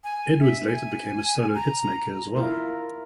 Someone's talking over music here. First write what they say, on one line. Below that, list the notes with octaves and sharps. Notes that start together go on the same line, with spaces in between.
Edwards later became a solo hits maker as well.
G#5
E5
G#5
A#5
E4 F4 A#4